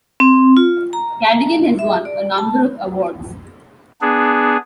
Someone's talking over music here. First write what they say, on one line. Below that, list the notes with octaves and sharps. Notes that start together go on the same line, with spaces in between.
Cadigan has won a number of awards.
C4
F4
A#5
E5
D5
A5
B3 D4 G#4